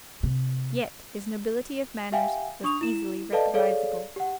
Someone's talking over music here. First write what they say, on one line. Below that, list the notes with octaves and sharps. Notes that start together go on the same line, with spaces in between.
Yet his nobility of manners was easily recognizable.
C3
G4 E5 F5 G5 G#5
D4 C#6 D#6 F7
E4 E7
A4 B4 D5 D#5 F5 A5
G#4 A4 C#5 D5 F5
G4 F#5